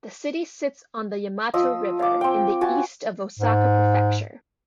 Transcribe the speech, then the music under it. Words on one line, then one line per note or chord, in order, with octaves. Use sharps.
The city sits on the Yamato River in the east of Osaka Prefecture.
F3 D#5 D#6 E6
F5 D6
C4 G5
F#4 G#5 A5
G#2